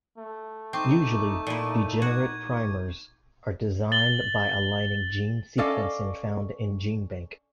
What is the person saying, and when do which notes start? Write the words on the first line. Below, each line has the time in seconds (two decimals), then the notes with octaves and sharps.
Usually, degenerate primers are designed by aligning gene sequencing found in GenBank.
0.18 A3
0.73 C4 D#4 C#6 D6 G6
1.47 A#2 E4 D#7
2.02 F#4 G#6
3.92 A6 F#7 G7
5.58 C#4 A4 D5 D#5 F5